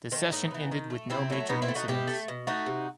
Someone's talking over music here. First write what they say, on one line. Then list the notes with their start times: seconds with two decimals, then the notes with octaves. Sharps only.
The session ended with no major incidents.
0.12 D#3 C4
0.16 A3
0.31 A2 B3 D#4
0.51 E3 B3
0.71 D#3
0.90 A3
1.10 C3 C4 E4
1.30 F#3 A3
1.49 B2 B3 D#4
1.62 C4 E4
1.68 A3
1.75 D#4 F#4
1.88 B2 E4 G4
2.08 A3
2.28 B2
2.47 A3 D#4 F#4
2.66 C3